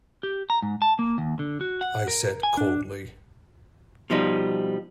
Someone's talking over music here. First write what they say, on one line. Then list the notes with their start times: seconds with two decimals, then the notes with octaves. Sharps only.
I said coldly.
0.23 G4
0.50 A#5
0.62 G#2
0.82 A5
0.99 A#3
1.18 D#2
1.39 D3
1.61 F#4
1.81 F#5
2.08 A#4
2.43 G#5
2.57 D4
4.10 B2 F3 G3 D#4